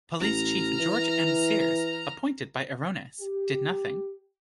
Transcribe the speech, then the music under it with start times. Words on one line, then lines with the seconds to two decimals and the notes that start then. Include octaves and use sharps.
Police Chief George M. Sears, appointed by Irones, did nothing.
0.20 A1 A#5 F6
0.79 E3
3.20 G4